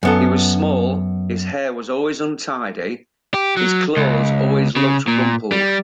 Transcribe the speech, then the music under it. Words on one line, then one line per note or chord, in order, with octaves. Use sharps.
He was small, his hair was always untidy, his clothes always looked rumpled.
F#2 B3 A4
G4
F#3
C#2
C#3
A#2
G3